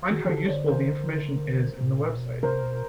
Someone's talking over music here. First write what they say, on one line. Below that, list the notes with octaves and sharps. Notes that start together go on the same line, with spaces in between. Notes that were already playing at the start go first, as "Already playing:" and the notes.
Find how useful the information is in the website.
D#3 F#4 G#4
D#3
D3 G4 A4
C#5
D3 C5 D5
D#3 A#4 C5
D3
A2
A#2
B2
C3 A#4 C5
B2